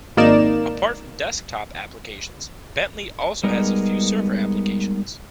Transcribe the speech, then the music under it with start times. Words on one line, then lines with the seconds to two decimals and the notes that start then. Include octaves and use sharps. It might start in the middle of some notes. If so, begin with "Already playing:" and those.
Apart from desktop applications, Bentley also has a few server applications.
0.17 G#1 A#3 D#4 A#4 D5 E7
3.44 G3 G#3 B3 D#4 A#4